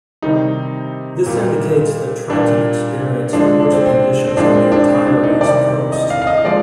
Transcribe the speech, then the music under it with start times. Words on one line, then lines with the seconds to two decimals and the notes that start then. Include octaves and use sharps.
This indicates that Trenton experienced the worst conditions on the entire East Coast.
0.22 C3 D#3 G3 D#4
1.26 A#2 G3
2.29 A#2 G3 D4
3.33 D3 F3 G#3 D4
3.60 D4
3.72 C4
3.86 C4
4.28 C4
4.37 A#2 F3 G#3 D4
4.55 C4
4.72 D4
4.89 C4
5.06 D4
5.24 D#4
5.41 C3 D#3 G3 D5
5.92 D#5
6.10 F5
6.22 F5
6.27 D#5
6.44 F3 G#3 D5